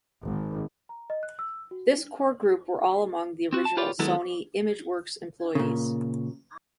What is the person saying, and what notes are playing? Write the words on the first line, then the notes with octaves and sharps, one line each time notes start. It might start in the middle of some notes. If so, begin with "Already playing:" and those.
This core group were all among the original Sony Imageworks employees.
G#1
A#5
D#5
F#6
E6
F#4
D4
C4 F#4
A5
F4 G4 B4 C#5 D5
D#3 F#3 G#3 B3 E4 A4
A#2 C#3